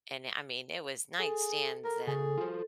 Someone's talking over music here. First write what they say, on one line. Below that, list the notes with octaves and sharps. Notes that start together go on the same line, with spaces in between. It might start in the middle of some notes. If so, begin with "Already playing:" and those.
and, eh, I mean it was nightstands and
G#4 A4
A#4
C#3 G#4 A4 G#5
F4 F#4 C5